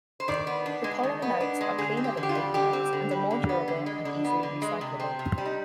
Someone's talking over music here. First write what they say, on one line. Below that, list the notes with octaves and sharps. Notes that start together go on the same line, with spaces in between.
The polymer notes are cleaner than paper notes, are more durable and easily recyclable.
C5
D#3 D5
B3
D4
G#3
D#3
B3
D4
G#3
D3 G#4
C4
G4
D3
G4
F4
G3
D3 G4
C4
D3
G3
D3
B3
D3
G#3
D3 D4
B3
D3
G#3
C3
C4
C3
G3
D#4